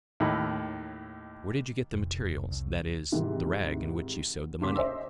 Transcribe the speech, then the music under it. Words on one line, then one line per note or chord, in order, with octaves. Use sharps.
"Where did you get the material, that is, the rag in which you sewed the money?"
D#2 A2
F1
C2
G#2 C3 D#3 E3 G3
D#2 C#3 C6 D6 B6
C5 D#5 E5 E6